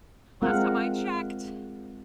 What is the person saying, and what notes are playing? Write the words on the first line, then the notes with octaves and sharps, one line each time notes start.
Last time I checked
G#3 C4 F4 A#4 F5 F#5